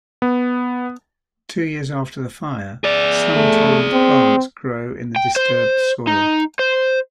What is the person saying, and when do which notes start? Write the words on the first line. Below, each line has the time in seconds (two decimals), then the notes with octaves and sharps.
Two years after the fire, sun tolerant plants grow in the disturbed soil.
0.22 B3
2.84 G#4 D5
3.36 A3
3.93 C4
5.16 G5
5.36 C5
6.07 D#4
6.59 C5